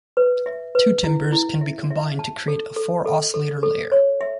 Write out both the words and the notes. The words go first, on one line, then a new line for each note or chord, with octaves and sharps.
Two timbres can be combined to create a four-oscillator "layer".
B4
E5
B4
E4
E4
E5
E5
A5
A4
A4
A4
A4
A4
C#5
E5